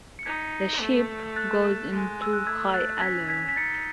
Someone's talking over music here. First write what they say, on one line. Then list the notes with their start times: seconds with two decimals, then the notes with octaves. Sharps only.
The ship goes into high alert.
0.19 C#7
0.25 D#4 G#6 B6
0.81 A3
1.36 F#6 A6
1.91 G#3
2.22 E6
2.33 F#6
2.47 A3 E6 G#6
2.74 F#6 A6
3.01 C#4 G#6 B6
3.29 G#6 B6
3.49 B6
3.56 D#4 A6 C#7